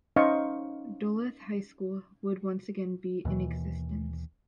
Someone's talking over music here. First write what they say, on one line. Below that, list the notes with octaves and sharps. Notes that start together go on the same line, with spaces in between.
Duluth High School would once again be in existence.
C#4 D#4 C5 D#5 F5 C#6
D#2 B2 E3